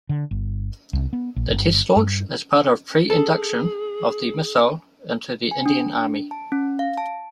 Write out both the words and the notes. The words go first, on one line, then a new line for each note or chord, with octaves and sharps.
The test launch is part of pre-induction of the missile into the Indian Army.
D3
G1
C2
B3
A#1
G1
G2
G#4 A4
G#5
D4
A5
C#4
F5
A5